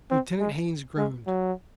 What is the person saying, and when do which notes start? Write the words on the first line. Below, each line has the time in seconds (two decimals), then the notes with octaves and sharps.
Lieutenant Haines groaned.
0.11 C4
0.40 G#3
0.97 G#3
1.26 F#3